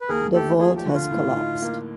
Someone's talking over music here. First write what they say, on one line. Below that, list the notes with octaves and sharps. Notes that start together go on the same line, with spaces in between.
The vault has collapsed.
B4
D#2 G#4 A#4
A3 G4 A4
F3 G#4
G4
D3 F#4
F4
A2
D#4
A#3